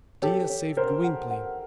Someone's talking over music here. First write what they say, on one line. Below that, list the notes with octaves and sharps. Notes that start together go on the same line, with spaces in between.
Dea saved Gwynplaine.
G4 A4 C#5
C#5
A#4 C5 C#5
F#5
F#5